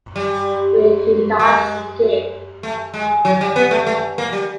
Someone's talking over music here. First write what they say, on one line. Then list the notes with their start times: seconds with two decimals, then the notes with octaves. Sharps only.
We do not forgive!
0.16 G3
1.39 G#3
2.63 A3
2.94 G#3
3.25 F#3
3.41 G3
3.56 B3
3.71 A3
3.86 A3
4.18 A#3
4.33 G3